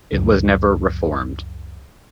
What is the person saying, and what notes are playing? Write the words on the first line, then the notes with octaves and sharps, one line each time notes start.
It was never reformed.
C#2 F#2